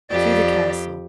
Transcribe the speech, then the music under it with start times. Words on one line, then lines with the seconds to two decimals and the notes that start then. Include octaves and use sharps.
To the castle!
0.10 F2 G4 D5